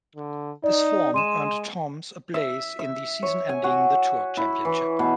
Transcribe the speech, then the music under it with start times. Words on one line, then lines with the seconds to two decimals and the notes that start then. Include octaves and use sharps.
This form earned Toms a place in the season-ending The Tour Championship.
0.16 D3
0.64 D#4 D5
1.14 G#3 C6 D#7 E7
2.34 E5
2.79 E5
3.23 C#5
3.49 G#5
3.64 F#4
4.37 E4
4.65 E3
4.99 B2